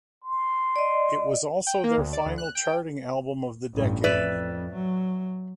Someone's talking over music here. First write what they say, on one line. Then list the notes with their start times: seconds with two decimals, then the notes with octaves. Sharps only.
It was also their final charting album of the decade.
0.24 C6
0.76 D5 D#5
1.67 G5
1.84 A#3
1.97 D2
2.13 D5
2.26 D2
2.38 F#6
2.55 G5
3.75 A1 G2
4.04 F2 B4 D5 E5
4.74 F#3